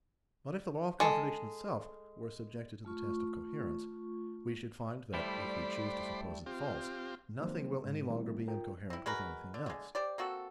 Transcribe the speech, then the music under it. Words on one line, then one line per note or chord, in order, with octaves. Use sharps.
But if the law of contradiction itself were subjected to the test of coherence, we should find that, if we choose to suppose it false, nothing will any longer be incoherent with anything else.
G#3 A4
A3 F4 C#6
G3 A3 E4 C5 D5 B5
C4 F4 G4
D#3 F#3 G3 A#3 C4 C5
G#2 G#3
D#3 G3 A3 A#3 C4 E4
F4 A#4 G5
C4 E4
G#3 F#4 A#4 B4
D3
D3 G#3
G4 C5 D5
A#3 C4 F#4 A4